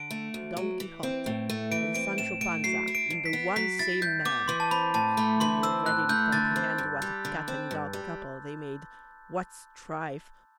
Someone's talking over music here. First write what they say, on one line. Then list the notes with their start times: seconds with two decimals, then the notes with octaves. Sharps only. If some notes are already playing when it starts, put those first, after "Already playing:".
Don Quixote and Sancho Panza in the one same man! you will readily comprehend what a cat-and-dog couple they made! what strife!
Already playing: D3 D7
0.11 A3
0.34 D2
0.57 F#3
0.80 E3
1.03 C4
1.26 A2
1.50 A3
1.72 E3 D7
1.95 C4 D7
2.18 A2 E7
2.41 A3 D7
2.64 F#3 C7
2.88 E4
2.95 D7
3.10 G2
3.26 B6
3.33 B3
3.56 F#3 B6
3.79 E4 A6
4.02 G2 G6
4.25 B3 D6
4.48 E3 C6
4.60 A5
4.71 C4 B5
4.94 A2 A5
5.17 A3 B5
5.40 E3 C6
5.63 C4 E6
5.86 A2 F#6
6.09 A3 G6
6.32 D3 A6
6.56 C4
6.78 G2
7.02 G3
7.25 D3
7.48 C4
7.71 G2
7.93 G3